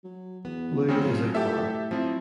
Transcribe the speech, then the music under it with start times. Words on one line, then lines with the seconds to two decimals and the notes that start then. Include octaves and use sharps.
Blue is a colour.
0.05 F#3
0.45 E2 B3
0.88 D2 C#3 C4 C#4 F#4
1.02 A2 F3 F#3
1.35 G4 A4 E5
1.91 F3 F#3 C4 E4